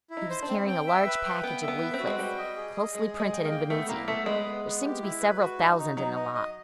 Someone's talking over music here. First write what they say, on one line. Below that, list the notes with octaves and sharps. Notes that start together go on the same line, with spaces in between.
He was carrying a large package of leaflets, closely printed in Venusian; there seemed to be several thousand in the lot.
E4
D#4
C5
D4
C4
C4 G5
E5
B4
G5
B3 G5
E5
B3
B4
C4
F#4
G#3
G3 G5
D#5
G#4
D#5
G#3 G#4
D#5
G#3
G5
A#3
G5
A3 B3
A#3 E4
A3 B3
G#3 B4
B3
B3
G4
E4
B4
F#4
D#4
D#4
F#3 D#4
D#5
D#5